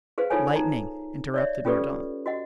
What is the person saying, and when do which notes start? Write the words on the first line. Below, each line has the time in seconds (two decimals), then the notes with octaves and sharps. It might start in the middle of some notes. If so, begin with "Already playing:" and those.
"Lightning," interrupted Mordaunt.
0.18 G#4 B4 C5 F5
0.30 D#4 F4 A4 C5 C#5 G#5
0.56 D#4 A#5
1.34 C#5 D5 E5
1.65 C#4 F4 G4 A4 B4 D5
2.26 F#4 D#5 F#5